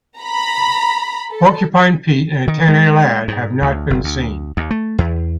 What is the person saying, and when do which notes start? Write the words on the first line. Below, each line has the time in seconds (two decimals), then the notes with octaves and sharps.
Porcupine Pete and Antennae Lad have not been seen.
0.17 A#5 B5
1.31 A4
2.48 D#3
2.68 G#3
3.28 G#2
3.62 D2
3.90 F#1
4.04 D2
4.57 D#2
4.71 A3
4.98 E2